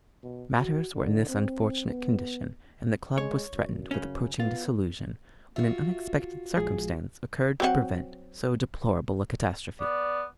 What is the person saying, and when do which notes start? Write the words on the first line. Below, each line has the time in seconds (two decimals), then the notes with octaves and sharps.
Matters were in this unfortunate condition, and the club was threatened with approaching dissolution, when an unexpected circumstance occurred to prevent so deplorable a catastrophe.
0.23 B2
0.57 F#4
0.95 D3
1.29 C4
1.87 B3
3.18 G#3 C#5
3.53 F#2
3.91 C#3 C#4
4.40 B3 F4
5.56 F4 F#4 E5
6.57 A#1 F3 G#3 G#4
7.60 F#3 C4 F#5
9.81 B3 D5